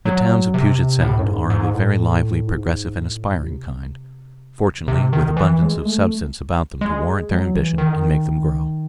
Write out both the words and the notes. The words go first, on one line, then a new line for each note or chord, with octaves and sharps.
The towns of Puget Sound are of a very lively, progressive, and aspiring kind, fortunately with abundance of substance about them to warrant their ambition and make them grow.
F#3
C3
A2
F#2
G#2
G#2
A2
G#2
A2
C3
C3
D#3
E3
G#3
A3
G#3
F#3
E3
D#3